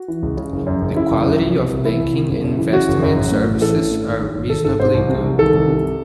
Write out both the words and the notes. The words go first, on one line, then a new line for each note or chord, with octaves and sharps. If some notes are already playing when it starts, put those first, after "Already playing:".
The quality of banking and investment services are reasonably good.
Already playing: F#4
E3
C#2
C#3
F#1
F#2
F#1
C#3 E4
F#1
F#2
C2
C3
C2
E3 E4
C2
C3
F#1
F#2
E3
C#3 F#4
F#1
F#2
A1
A2
A1
E3 A4
A1
A2
G#1
G#2
G#1
D#3 A4
G#1 A4
G#2 C5
C2
C3
C2
D#3 A4
C2
C3